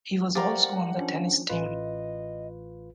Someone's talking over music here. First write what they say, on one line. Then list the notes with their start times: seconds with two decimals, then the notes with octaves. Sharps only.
He was also on the tennis team.
0.35 G4 A#4 C5 D5 F5 F#5 A6
0.97 F3 C#4 D4
1.49 A1 F4 B4 D#5